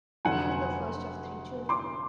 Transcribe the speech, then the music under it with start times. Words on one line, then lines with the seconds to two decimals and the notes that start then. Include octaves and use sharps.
He is the first of three children.
0.25 F1 F2 D3 F#3 F#5 G#5
1.69 C6 D6